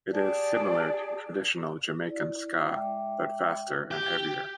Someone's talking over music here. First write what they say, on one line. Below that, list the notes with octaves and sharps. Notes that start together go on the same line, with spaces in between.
It is similar to traditional Jamaican ska, but faster and heavier.
G4 G#4 D5 A5
E4 D5
G#3 E5 G5 D6
G4 G6